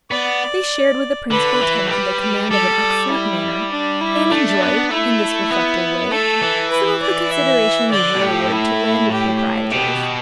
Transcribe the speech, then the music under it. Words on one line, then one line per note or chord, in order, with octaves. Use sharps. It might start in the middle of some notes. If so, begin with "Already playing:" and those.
They shared with the principal tenant the command of an excellent manor, and enjoyed, in this reflected way, some of the consideration usually awarded to landed proprietors.
B3 D5
D3 B4
E3
A3
G3 B4
G3 A4
E4
D4
E4
A3 D4
B3
A3 E4
B3
A3 A4
E3
B4
D5
E5
D3 D5
B2
A2 G4
E4
G4
B2 G4